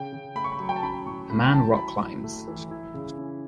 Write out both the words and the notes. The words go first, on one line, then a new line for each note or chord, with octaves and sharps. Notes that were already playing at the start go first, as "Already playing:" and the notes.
A man rock climbs.
Already playing: C#3 G5
C#3
A3 B5
C#6
B5
F#3
G5
A5
C#4 B5
A2 C#6
A3 B5
G5
F#3 A5
E4 B5
A2
A3
E3
E4
C#3
C#4